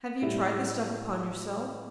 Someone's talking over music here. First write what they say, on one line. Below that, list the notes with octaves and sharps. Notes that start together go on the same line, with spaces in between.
"Have you tried the stuff upon yourself?"
A2 G3 E4